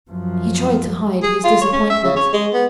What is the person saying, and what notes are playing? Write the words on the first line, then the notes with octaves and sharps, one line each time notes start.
He tried to hide his disappointment.
F#2 F3
G#4
F4
C#5
C#4
E5
C#3
C#5
G#3
B3